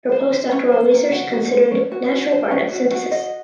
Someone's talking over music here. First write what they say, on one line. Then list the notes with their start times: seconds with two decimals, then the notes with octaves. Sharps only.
Her postdoctoral research considered natural product synthesis.
0.12 C5
0.32 C5
0.52 C#4
0.72 C5
0.92 A#3
1.12 F#4
1.32 F#4
1.52 C5
1.71 C#4
1.92 F#4
2.12 F#4
2.32 C5
2.51 C#4
2.72 F#4
2.91 F#4
3.12 D#5